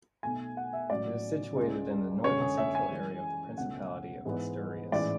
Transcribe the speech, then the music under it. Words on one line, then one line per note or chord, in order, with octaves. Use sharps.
It is situated in the northern-central area of the Principality of Asturias.
B1 B2 A3 G#5
F#5
E5
A1 A2 F#3 C#4 D5
C#2 C#3 G#3
F#2 D3 G#3 C#4 C#5
G#4
E5
G#5
F#2 E3 G#3
C#2 B2 A3 C#4 F#5
G#2 E3 G#3 B3
A1 G#2 E3 G#3 D5